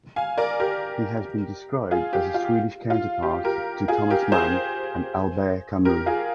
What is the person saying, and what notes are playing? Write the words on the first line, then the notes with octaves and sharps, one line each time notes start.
He has been described as a Swedish counterpart to Thomas Mann and Albert Camus.
F5 G#5
A#4 D5
G4 A#4
F4 G#4
G4
F4
F4
G4
G4 A#4
F4 G#4
G4 A#4
G#4 C5
G4 A#4
F4 G#4